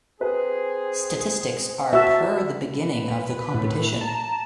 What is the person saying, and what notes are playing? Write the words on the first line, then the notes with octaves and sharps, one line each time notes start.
Statistics are per the beginning of the competition.
C4 G#4 B4
F#4 E5 A5 E6
B4
A2
A5 A#5